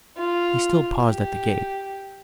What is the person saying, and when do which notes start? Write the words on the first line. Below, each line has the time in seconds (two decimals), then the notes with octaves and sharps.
He still paused at the gate.
0.18 F4
1.08 G4